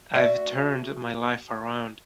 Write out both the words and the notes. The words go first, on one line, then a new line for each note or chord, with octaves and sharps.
I've turned my life around.
F#4 D5 E5